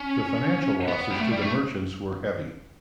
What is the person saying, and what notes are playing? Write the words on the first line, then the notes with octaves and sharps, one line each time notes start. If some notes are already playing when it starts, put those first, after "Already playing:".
The financial losses to the merchants were heavy.
Already playing: C#4
B3
G3
A3
G3
A3